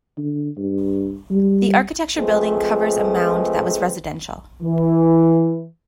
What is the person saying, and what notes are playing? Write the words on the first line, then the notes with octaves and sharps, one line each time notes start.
The Architecture Building covers a mound that was residential.
D3
G2
G3
F3 G#3 A3 C4 G#4 B4
E3